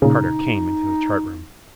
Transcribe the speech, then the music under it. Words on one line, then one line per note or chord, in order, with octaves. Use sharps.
Carter came into the chart room.
A#2 C#3 D#4